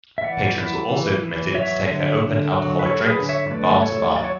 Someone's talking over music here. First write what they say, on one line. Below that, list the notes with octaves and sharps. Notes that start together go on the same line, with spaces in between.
Patrons were also permitted to take their open alcoholic drinks from bar to bar.
E5
E3 D5 F#5
E4
E3
E3
F#3 C#5 E5
D3
D3
F#3
B4
E4 A4 C#5
G#4 B4
D3
C#5 E5
A3 B4 D5
E4 A4 C#5
F#3 D5
C#5